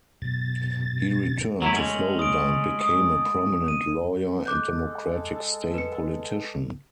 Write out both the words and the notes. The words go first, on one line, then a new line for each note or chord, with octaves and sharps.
He returned to Florida and became a prominent lawyer and Democratic state politician.
F#2 B2 A6
F#3 A3 E4 F#7
G#3 A3 C#4
D#6 D7
D#6
D#7
G#3 A4 D6 F#6 G6
B4 C#7